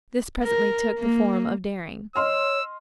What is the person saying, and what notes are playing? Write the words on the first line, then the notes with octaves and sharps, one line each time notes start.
This presently took the form of "daring."
A#4
A#3
C#5 D#5 C6 E6 F6